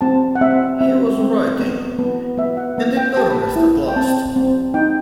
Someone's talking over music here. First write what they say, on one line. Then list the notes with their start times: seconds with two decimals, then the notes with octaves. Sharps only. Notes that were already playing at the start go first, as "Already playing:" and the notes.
He was writing — and in earnest at last.
0.01 C4 A5
0.35 F#5
0.41 C4 E5
0.81 C4 E5
1.19 C4
1.60 B3
1.99 B3
2.37 B3 E5
2.57 F#5
2.78 B3
2.97 G5
3.17 G4 A5
3.30 B5
3.42 A5
3.56 E4
3.88 G5
3.96 C4 A5
4.36 C4
4.74 D#4 G5